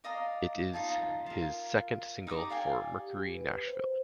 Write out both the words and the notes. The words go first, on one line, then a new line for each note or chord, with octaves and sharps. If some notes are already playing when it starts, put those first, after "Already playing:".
It is his second single for Mercury Nashville.
D5 D#5 F5 A#5
D#4 F4 A5
F4 A#4
D#4 G4 A#5 D6
D5 F5 G5 G#5
G4
B4
C5